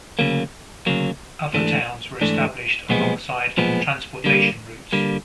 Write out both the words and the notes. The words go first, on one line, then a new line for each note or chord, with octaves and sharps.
Other towns were established alongside transportation routes.
D2 C#3 F#3 A#3
D2 C#3 F#3 A#3
G#2 E3 A3 D4
G#2 E3 A3 D4
B1 A#2 F3 G#3 B3
B1 A#2 F3 G#3 B3
D3 G3 A#3
D3 G3 A#3